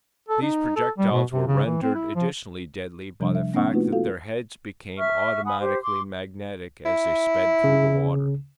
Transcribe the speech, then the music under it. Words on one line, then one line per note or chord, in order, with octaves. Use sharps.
These projectiles were rendered additionally deadly by the fact that their heads became automatically magnetic as they sped through the water.
A4
D#4
A4
G3
B2
C3
C#3
E3
C4
E4
F3
C3 F3 G3 D4
E5
A#3 C4 D4 F#5 C#6
A3 B3 D#4 F4 F#4 B4
F4 F#4 A4 F5
E5 C#6 F6
F#5 G#5 B5 D#6
G4 C5
C6 D6
E4
C#3